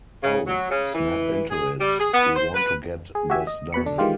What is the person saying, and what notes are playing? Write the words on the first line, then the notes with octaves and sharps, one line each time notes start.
Oh, snap into it! We want to get this done.
C#3
F#3
C#3
E3
G#4
G3
G#4
B3
C5
B4
G#4
F#4 G4 E5 G#5
D#5
B2 B4 B5 C#7
D3 D4
D#3 E3 G#3 F4 G4